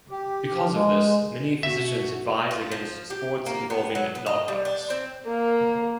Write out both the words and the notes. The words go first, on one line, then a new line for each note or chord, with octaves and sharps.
Because of this, many physicians advise against sports involving knockouts.
G4
F3
G#3
B2 F#4 E5
F4
F3
G4
A#3
B3
F#3
B3
D#5
G3
D4
C4
A#3